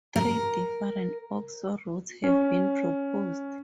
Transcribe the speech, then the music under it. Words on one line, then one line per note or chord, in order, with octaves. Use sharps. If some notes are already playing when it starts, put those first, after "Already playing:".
Three different oxo-routes have been proposed.
A#4
C#4